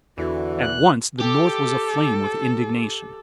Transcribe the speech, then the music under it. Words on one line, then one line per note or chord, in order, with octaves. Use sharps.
At once the North was aflame with indignation.
E2 D3 E3 F#4
F#6
G4 A4